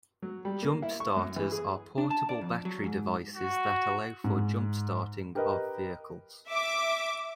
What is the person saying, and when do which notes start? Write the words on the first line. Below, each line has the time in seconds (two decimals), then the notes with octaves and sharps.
Jump starters are portable battery devices that allow for jump starting of vehicles.
0.22 F#3
0.45 G3
0.62 A#3
0.82 E4
1.00 C#6
1.17 F#2
1.36 E3
1.52 G#4
1.98 D4
2.10 A5
2.29 D5
2.41 F2
2.65 F#3
2.84 G#2
3.36 F#4
4.24 G#2
5.35 G4 A#4 B4 D#5
6.47 E5 D6